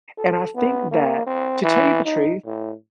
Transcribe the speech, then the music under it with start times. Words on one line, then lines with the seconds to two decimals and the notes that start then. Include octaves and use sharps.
and I think that to tell you the truth,
0.18 A4
0.55 B3
0.91 A#3
1.27 C4
1.63 E3
2.04 D#4
2.45 A2